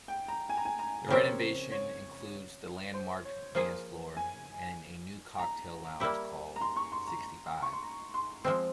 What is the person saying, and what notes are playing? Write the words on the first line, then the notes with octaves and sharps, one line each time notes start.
The renovation includes the landmarked dance floor and a new cocktail lounge called SixtyFive.
G5
A#5
G#5
A#5
G#5
A#5
C#3 F3 C4 G4 A#4 C#5
C#5
C5
C#5
F3 A#3 F4 G#4
G#5
A#5
G3 A#3 E4 G4
A#5
C6
C#6
C6
A#5
C#6
C6
A#5
C6
F3 G#3 C4 C6